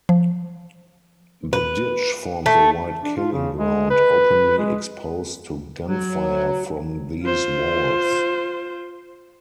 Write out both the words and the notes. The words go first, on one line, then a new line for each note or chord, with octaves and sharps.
The ditch forms a wide killing ground openly exposed to gunfire from these walls.
F3
B4
A3
D4
F4
C#3
G#3
B4
G#3
F#3
F4 C5